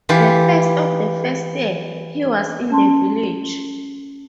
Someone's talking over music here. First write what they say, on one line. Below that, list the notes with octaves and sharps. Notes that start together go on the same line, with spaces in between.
The first of the first year, he was in the village.
E3 F4 G4
C#4 A5 C6